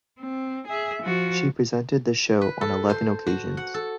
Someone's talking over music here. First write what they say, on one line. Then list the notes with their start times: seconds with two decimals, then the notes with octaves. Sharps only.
She presented the show on eleven occasions.
0.20 C4
0.67 G#4 E5
1.03 F3 F#4
2.41 B4
2.61 A4
2.89 C5
3.27 F#4
3.57 F#5
3.74 A4